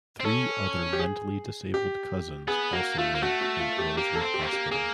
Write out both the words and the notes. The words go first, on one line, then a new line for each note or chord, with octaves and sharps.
Three other mentally disabled cousins also lived in Earlswood Hospital.
C4
C#4 A4
G4
G#4
G4
B3 G#4
A#3 F#4
A3 F4
A#3
A3 F#4
F#4
F4
G4
A#3 G4
A4
C4
G4
A3
A#3
G4
A#3 G#4